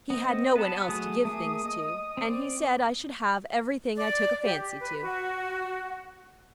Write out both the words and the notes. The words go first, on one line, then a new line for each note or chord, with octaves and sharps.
He had no one else to give things to, and he said I should have every thing I took a fancy to.
B3 C4 D#5
B3 B4 A5
F#3 A3 G#4 D#6
A3 A#3 G#4
D#5
C4 D5
D5
G4
B4
F#4